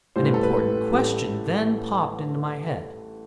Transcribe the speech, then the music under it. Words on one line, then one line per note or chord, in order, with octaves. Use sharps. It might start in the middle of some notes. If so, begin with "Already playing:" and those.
An important question then popped into my head.
A1 A2 E3 G3 C5
B4
A4
B4
A1 A2 E3 G3